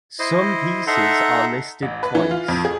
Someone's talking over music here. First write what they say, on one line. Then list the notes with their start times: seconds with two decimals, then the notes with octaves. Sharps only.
Some pieces are listed twice.
0.19 E4 C5 D#5
0.87 D#4 A4 E5 F#5 A#5 C6
1.82 A1
2.03 B4
2.15 E3
2.31 F4
2.48 F2
2.65 G#4